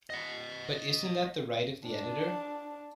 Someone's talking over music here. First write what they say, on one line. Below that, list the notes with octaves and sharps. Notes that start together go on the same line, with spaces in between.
But isn't that the right of the editor?
D#5 F#5
D4